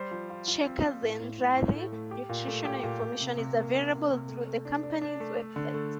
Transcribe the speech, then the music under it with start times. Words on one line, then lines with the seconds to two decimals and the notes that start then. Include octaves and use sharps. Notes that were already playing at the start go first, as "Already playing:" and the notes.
Checkers and Rally's nutritional information is available through the company website.
Already playing: G3 C5
0.11 F3
0.30 F4
0.48 F4
0.66 C4
0.84 F4
1.02 A2
1.20 A2
1.39 A2
1.57 A2
1.75 A3
1.92 A3
2.11 G4
2.29 A#2
2.47 A3
2.65 G4
2.83 A#2
3.02 A#2
3.20 C3
3.38 C3
3.57 A#3
3.74 C3
3.92 A#3
4.11 C3
4.28 A3
4.47 A3
4.65 D4
4.83 D4
5.02 D4
5.20 A3
5.38 A3
5.56 D3
5.74 A3